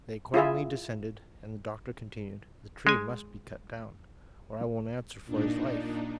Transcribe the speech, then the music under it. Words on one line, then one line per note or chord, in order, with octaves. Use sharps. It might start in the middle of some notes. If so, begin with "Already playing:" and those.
They accordingly descended, and the doctor continued, "The tree must be cut down, or I won't answer for his life."
E4 F4 G#4 E5
G#3 G#5
A#2 D4 D#4